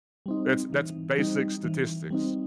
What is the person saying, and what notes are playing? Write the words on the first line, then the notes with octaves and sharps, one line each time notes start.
that's that's basic statistics.
G3 C4 D#4
E3
G3 C4 D#4
E3
G3 C4 D#4